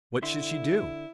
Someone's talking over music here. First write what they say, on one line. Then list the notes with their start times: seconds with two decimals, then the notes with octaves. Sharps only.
What should she do?
0.22 D3 E4 E5 C6